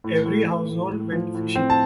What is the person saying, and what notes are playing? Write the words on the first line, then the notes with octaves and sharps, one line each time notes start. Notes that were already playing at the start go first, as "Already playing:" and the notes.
Every household went fishing.
A2
A2
A2
A2
A2
F3
A2
C4
A5